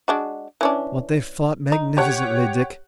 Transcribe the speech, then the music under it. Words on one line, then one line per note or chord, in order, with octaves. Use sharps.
But they fought magnificently, Dick!
G#3 D4 F#4
E3 C#4 D4
D#4
G4 C#5 F#5